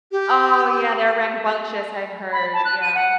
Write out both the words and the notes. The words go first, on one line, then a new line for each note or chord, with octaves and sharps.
oh, yeah, they're rambunctious, I've heard. Yeah.
G4
B5
A5
F#6
D#7
F#5